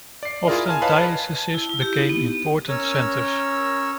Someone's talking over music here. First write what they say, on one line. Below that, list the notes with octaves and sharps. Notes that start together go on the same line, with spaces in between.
Often dioceses became important centres.
D5 C7
E4 F4 G#4 A#4
G#5 A5 F6
B4 C#5 D#5 F5 A5 B5
A5
E4
E4
G4
D#4
B3
C#4 A#4 C#5 E6